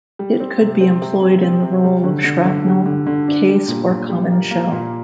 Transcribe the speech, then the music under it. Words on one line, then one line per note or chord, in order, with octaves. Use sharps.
It could be employed in the role of shrapnel, case or common shell.
G3
C4
C3
C4
C3
C3
C4
C3
G3
D3
D3
D3
G3
D3
D3
D4
G3
A#2
A#2
G3
A#3
A#3
A#2